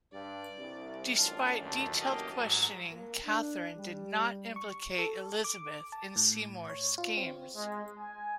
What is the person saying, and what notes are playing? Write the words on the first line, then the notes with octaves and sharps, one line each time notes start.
Despite detailed questioning, Katherine did not implicate Elizabeth in Seymour's schemes.
G2 D5
C2
A1 F#2 D4 F4 A5
D#2
A#3 G4 D#5
G#2 F#3
A#3
D4
G3
C#6
A4
D6
A5
A2
C#5
F4
C4
G#3
G#5